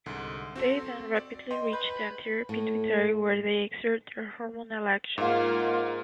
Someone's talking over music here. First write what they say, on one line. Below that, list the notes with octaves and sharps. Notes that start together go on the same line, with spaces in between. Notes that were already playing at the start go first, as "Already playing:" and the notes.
They then rapidly reach the anterior pituitary where they exert their hormonal action.
C2 G#2 D3
C4 F#4 A4
D5
D#5 G5 C6
B4 G6
A2
G#2 A#3 F4